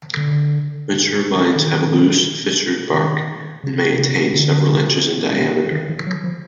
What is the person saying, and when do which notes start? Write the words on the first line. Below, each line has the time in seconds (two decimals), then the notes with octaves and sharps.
Mature vines have loose, fissured bark, and may attain several inches in diameter.
0.17 D3
1.56 D#3
2.94 D#3
3.64 C#3
3.98 C#3
4.33 D3
5.71 D#3
5.89 E3
6.06 F#3
6.24 F3